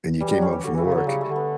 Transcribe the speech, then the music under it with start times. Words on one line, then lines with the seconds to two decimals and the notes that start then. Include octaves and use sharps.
and you came home from work,
0.20 E3 G3
0.31 F#3 G3
0.42 C#4
0.50 E3 G4
0.64 D3 F#4
0.74 E3
0.78 E4
0.85 C#3
0.92 D3 F#3
1.07 C#3 G3
1.21 A3
1.29 D3
1.36 B3